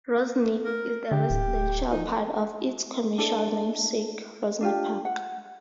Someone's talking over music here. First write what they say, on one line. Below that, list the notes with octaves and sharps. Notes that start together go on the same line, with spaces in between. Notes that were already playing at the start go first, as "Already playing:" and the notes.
Rosny is the residential part of its commercial namesake Rosny Park.
A#4
D3 G4
D1
F3 D#4
D4 E4 A4
D4 F4 G4
F#5